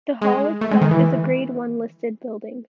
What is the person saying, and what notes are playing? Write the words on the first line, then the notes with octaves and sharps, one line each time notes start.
The hall itself is a Grade One listed building.
G#3
A3
G#3
D#3
E3